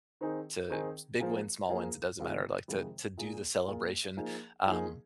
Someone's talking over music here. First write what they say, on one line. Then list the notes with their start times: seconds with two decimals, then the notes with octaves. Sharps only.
to big wins, small wins, it doesn't matter, like, to to do the celebration, um,
0.21 D#3 C4 D#4 G#4
0.70 D#3 C4 D#4 G#4
1.20 F3 A#3 G#4
1.69 F3 A#3 G#4
2.19 F2 C3 D#3 G#3 F4
2.68 F2 C3 D#3 G#3 F4
3.17 A#2 A#3 F4 G#4
3.67 A#2 A#3 F4 G#4
4.17 F3 A#3 D#4 G#4
4.66 F3 A#3 D#4 G#4